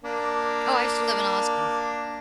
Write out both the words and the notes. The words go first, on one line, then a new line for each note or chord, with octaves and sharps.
Oh, I used to live in Austin.
A#3 D4